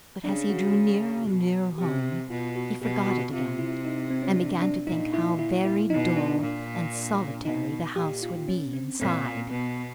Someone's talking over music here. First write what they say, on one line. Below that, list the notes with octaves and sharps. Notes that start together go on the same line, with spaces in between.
But as he drew nearer and nearer home he forgot it again, and began to think how very dull and solitary the house would be inside.
C#3 D4
F#4
B2
C3 G4
B2 F4
F#4
B2 G4
F#4
C3 F4
E4
D#4
C4
C#4
D4
D4
A#2 D#4
E4
E4
E4
B2 D#4
D4
A#2
B2 D#4
A#2 G4
F4
C#4
C4
A#2 C4
C4
B2 B3